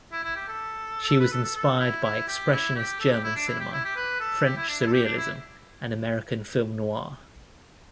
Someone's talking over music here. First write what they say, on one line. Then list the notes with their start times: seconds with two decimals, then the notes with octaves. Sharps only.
She was inspired by expressionist German cinema, French surrealism and American film noir.
0.12 E4
0.24 E4
0.36 G4
0.48 A4
1.08 A4
1.20 B4
1.32 A4
1.44 A4
1.56 A4
1.80 E4
2.04 E4
2.28 G4
2.52 E4
2.76 G4
3.00 A4
3.12 G4
3.24 E4
3.36 D4
3.48 E4
3.60 G4
3.73 E4
3.84 G4
3.96 B4
4.20 A4
4.45 G4
4.56 E4
4.68 D4
4.80 E4
4.87 A4
4.93 G4
5.04 D4
5.17 E4